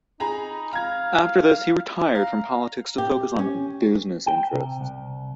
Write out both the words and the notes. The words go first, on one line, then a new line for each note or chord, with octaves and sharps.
After this he retired from politics to focus on business interests.
D#4 G#4 A#5 B5
F5 A#5 G#6
F5 A#5
G4
C#4
G5
C3
C2